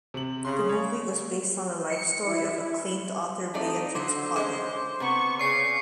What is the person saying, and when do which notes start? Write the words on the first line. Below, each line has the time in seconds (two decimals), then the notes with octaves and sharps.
The movie was based on the life story of acclaimed author Beatrix Potter.
0.14 C3 F#7
0.45 C#3 C6
0.69 C#5
1.90 C#7
2.27 E4
3.54 F2 A3 D#4 D5
3.95 D3 F#3 C5 D6
4.36 G#3 A#3 C#4 D6
5.00 C3 B3 C#6
5.39 C#3 D5 C#6 C7 C#7